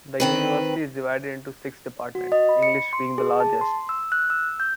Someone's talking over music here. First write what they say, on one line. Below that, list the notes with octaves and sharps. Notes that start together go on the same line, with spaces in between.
The university is divided into six departments, English being the largest.
D#3 C4 B4
F#4
D#5
B5
C#7
C6
G#4
A5
C6
E6
F#6
E6
G6